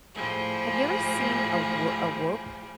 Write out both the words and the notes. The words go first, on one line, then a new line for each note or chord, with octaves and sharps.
have you ever seen a W a Whoop?
A2 F3 G3 G#4